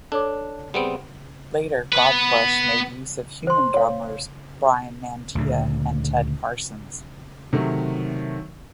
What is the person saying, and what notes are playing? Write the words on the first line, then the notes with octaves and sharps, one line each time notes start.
Later, Godflesh made use of human drummers Bryan Mantia and Ted Parsons.
D4 A4 C#5 D6
G3 B3 C4 G#4 D7
B3 B4
C5 C6
C#5 F5
D2 A#2 C#3
C3 D#3 F#3 A3